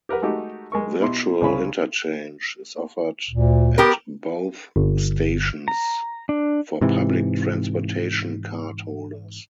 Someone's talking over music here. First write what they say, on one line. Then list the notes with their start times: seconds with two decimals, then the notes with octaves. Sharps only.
"Virtual interchange" is offered at both stations for Public Transportation Card holders.
0.09 G4 A#4 B4 F#5
0.22 G#3 A3 D#4 F#4 G4
0.72 G#3 A#4 C#6
1.01 B2 E4 G4 B5 C6
1.41 C2 C#3 G#3 C#5 B5
3.30 D2 A#2
3.78 B3 G4 A#4
4.76 G1
5.68 A#5
6.29 D4
6.81 G#2 C3 E3